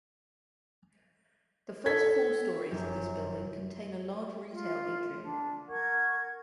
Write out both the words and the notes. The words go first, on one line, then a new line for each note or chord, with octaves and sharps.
The first four stories of this building contain a large retail atrium.
A4 G#6 B6
F1 F#2 G4
F4
D4
A#4 F#5 C#6 G#6